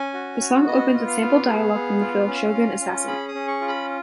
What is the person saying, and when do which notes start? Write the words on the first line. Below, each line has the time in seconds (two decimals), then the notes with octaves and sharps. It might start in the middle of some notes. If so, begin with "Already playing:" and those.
The song opens with sampled dialogue from the film "Shogun Assassin".
Already playing: C#4 G#5
0.14 F#4
0.40 F#4
0.67 B3 D#5
0.93 F4
1.08 F5
1.21 B3
1.47 G#4
1.74 B3
2.00 F4
2.27 C#4
2.54 F4
2.80 C#4
3.07 G#4 B5
3.28 D#6
3.35 C#4
3.48 C#6
3.61 F4
3.68 B5